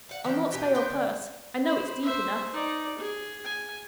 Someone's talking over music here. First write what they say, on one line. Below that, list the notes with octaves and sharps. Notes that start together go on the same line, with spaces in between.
I'll not spare your purse,--I know it's deep enough.
F5 F#5
E3 F3 C5 G5
B2 G4 G5 G#5
B3 D#4 C5 G5
D3
C5 B5
C5 E5
D#4 D5
G#4
G#5